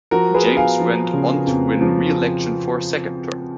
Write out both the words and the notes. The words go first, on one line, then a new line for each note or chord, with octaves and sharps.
James went on to win re-election for a second term.
F3 F#4 A#4
G#4 B4
B3
F5 G#5
F3
C#3
F2
F3